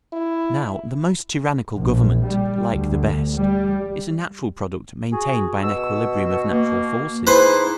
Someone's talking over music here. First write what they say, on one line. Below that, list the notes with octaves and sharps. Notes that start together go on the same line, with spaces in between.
Now the most tyrannical government, like the best, is a natural product maintained by an equilibrium of natural forces.
E4
A#1
G3
D2
G3
F#4 G#4
B2 E6
A#3
G#2 E4 B4 C5